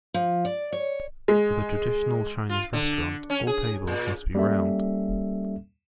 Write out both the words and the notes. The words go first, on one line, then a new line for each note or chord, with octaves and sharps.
For the traditional Chinese Restaurant, all tables must be round.
F3
D5
C#5
G#3
F4
D3
C#4
G#4
A#2
G3 A#3 C#4 A4 E5